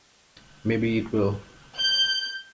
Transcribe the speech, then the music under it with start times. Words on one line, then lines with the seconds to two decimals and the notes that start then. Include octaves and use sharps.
Maybe it will.
1.77 G6